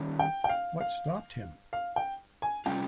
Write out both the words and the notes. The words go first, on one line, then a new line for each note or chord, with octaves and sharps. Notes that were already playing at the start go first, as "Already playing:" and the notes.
What stopped him?
Already playing: D#3 G3 C#4 G4
G5
G5
F5
F5
F5
G5
G#5
C3 G3 C#4 F4 G5